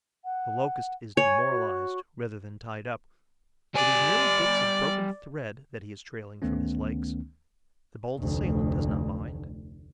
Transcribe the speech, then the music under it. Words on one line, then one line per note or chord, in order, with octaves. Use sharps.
The Locust is demoralized rather than tied up; it is merely bits of broken thread that he is trailing from his legs. The bold assailant does not mind.
F#5
C#5 G#5
F#4
G3 D5 G#5
D2 D#3 A3 B3 C#4
F1 D2